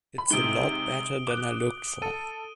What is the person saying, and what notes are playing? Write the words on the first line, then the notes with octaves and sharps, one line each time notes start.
It's a lot better than I looked for.
B5
G#2 C3 D#6 D7 G7
D6 F#6
A4 D#7